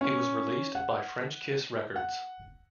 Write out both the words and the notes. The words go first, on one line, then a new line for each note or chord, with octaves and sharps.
It was released by Frenchkiss Records.
C#4
F#5
F#5